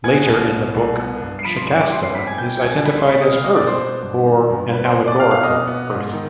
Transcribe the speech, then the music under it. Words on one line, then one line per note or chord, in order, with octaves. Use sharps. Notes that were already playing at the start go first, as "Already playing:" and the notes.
Later in the book, Shikasta is identified as Earth, or an allegorical Earth.
B3 G#5 G#6
C2
B2
C2
B3
G2
C7
F3 B5 B6
C6 C7
G2
D6 D7
G3 C6 C7
C6 C7
C4 B5 B6
G#5 G#6
B2 G5 G6
G6
C2 G#5 G#6
B3 B5 B6
C6 C7
B2 B5 B6
D#5 D#6
G3 F5 F6
D#5 D#6
B2 D5 D6
C5 C6
B3
G2
D#3
G2
B2 B4 B5
C5 C6
B3
D5 D6
B3 F5 F6
F5 F6
B2 D#5 D#6
B3
G#2
D#3